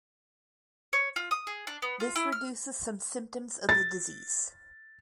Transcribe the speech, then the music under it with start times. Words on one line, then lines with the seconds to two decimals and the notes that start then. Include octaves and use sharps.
This reduces some symptoms of the disease.
0.93 C#5
1.16 F4
1.31 D#6
1.47 G#4
1.67 D4
1.82 B3
2.00 F4
2.16 E4
2.32 F6
3.69 A6